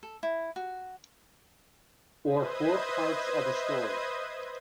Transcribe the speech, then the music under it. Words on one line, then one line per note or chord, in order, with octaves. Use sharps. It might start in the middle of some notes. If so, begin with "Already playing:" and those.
Or four parts of a story.
A4
E4
F#4
B4 C5 D#5 E5 D#6 G#6